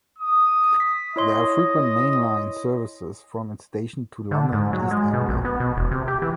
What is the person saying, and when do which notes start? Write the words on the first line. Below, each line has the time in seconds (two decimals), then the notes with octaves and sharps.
There are frequent main line services from its station to London and East Anglia.
0.18 D#6
0.80 B6
1.16 E4 C#5 D#5 C6
4.31 D3
4.52 G#2
4.73 F#3
4.91 G#3
5.13 B2
5.29 A#1
5.45 B3
5.60 B2
5.77 E1
5.91 C3
6.08 G4
6.22 E3